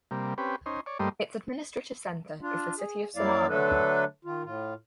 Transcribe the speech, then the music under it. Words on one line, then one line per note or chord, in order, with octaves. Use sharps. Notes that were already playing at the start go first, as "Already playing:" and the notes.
Its administrative center is the city of Samara.
C3 G3 A#3
C4 C#4 G4 B4
C#4 D#4 C5
C#5 D5
G2 G3 A3 A#3 C5 D#5
D4 F4
G#4
F#2 F#3 A#3 E4 D5 F5
D3 F#3 A3 D4 A4 B4
D#3 F4
A2 F4